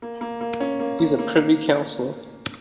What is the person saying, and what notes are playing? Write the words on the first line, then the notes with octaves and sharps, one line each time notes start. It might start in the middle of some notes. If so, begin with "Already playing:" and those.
He is a Privy Counsellor.
A#3
A#3
A#3
C#4
A#3
A#3
A#3